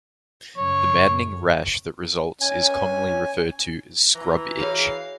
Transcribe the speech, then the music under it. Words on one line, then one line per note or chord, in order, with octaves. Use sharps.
The maddening rash that results is commonly referred to as 'scrub-itch'.
F#2 C#3 C#5
C#4 G#5
E3 A#5
F#4 G#4 C#5 F5